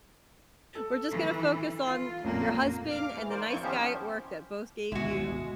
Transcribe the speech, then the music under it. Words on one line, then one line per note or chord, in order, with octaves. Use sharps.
we're just gonna focus on your husband and the nice guy at work that both gave you
A4
E3
F4
A1 F2 A#2 A#3
F5 D6 F6
G#2 E3
A#4 C5 D5
F2 A2 F3 E4 C#6 G6
D#3 F3 B3 C#4 G4 C5
G#1 D2 B2 D3 G#3 E4 F#4